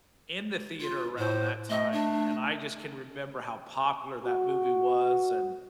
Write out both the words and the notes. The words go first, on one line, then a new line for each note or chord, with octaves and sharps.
in the theater around that time, and I just can remember how popular that movie was, and
F4
A2 C5
A3 D#5
D4
F#4